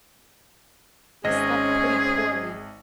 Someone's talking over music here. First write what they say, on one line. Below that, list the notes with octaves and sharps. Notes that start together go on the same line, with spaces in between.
I slept pretty poorly.
G#1 C#4 G#4 C5 D#5 A#6